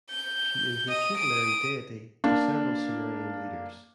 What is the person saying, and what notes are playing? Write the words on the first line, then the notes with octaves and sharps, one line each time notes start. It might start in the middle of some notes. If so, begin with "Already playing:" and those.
She is the tutelary deity to several Sumerian leaders.
G6
D#5 D#6
D#6 D7
A#3 D4